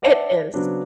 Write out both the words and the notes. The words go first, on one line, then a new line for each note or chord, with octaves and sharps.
It is.
B4 D5 E5 F#5 A5
C#3 F#3 B3 C4 D4